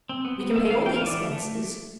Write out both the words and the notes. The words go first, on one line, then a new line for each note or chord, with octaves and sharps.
We can pay all the expenses.
C4
B3
B3
B3 E5
E3 F5
E3 G5
F5
E3
D5
A3
A3